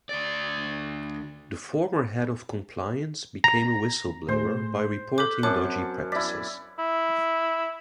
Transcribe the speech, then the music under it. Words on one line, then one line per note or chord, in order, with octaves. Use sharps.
The former head of compliance became a whistle blower by reporting dodgy practices.
D2 D5
A#5
A2 A3 G#4 C5
A4 D6 F#6 G6 B6
F#2 C4 A#4 A5 D6 F#6
E4 D5 B6
E4